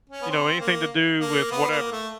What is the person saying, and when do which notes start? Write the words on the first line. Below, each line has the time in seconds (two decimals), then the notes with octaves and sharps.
you know, “Anything to do with whatever,
0.10 C#4
0.22 B3
0.30 C4
0.60 A#3
1.21 A#3
1.51 B3
1.71 A#3
1.92 A3